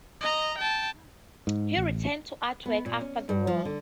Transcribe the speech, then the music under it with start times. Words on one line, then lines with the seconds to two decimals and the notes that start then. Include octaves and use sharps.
He returned to artwork after the war.
0.21 D#5 A#5
0.58 G5 A5
1.47 G#2
1.77 A1
2.66 B3
2.86 A#2
3.01 C#4
3.29 G2
3.47 F3
3.65 D3